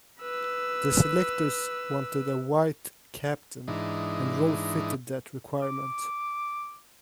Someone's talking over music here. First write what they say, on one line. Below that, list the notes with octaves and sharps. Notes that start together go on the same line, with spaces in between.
The selectors wanted a white captain and Rolph fitted that requirement.
B4 E6
G#2 E3 D4 D#4
D6